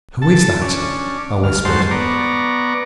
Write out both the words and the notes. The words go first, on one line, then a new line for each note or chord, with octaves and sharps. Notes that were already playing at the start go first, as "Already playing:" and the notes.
'Who is that?' I whispered.
A4 A5
C#4 D4
D2 F6
D#2 G#2 F#3 C5 A5 C6
B3 D5 A#5 C#6